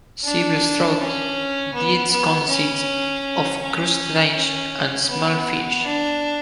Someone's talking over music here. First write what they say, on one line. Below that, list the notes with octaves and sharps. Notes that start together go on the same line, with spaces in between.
Silver seatrout diets consist of crustaceans and small fish.
D4
C#4
B3
B3
C#4
C#4
C#4
B3
D4